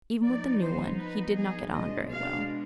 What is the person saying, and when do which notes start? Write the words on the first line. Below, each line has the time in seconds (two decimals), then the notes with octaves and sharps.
Even with the new one he did not get on very well.
0.24 F3 B3 D#4 D5
0.61 C5
0.98 B4
1.35 G#4
1.72 B2 G#3 D4 D#5
2.09 F5